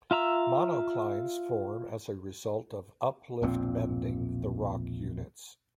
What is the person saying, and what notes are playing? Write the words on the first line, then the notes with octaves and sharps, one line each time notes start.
Monoclines form as a result of uplift bending the rock units.
F4 E5 A#5 E6
E1 A#1 A#2 C4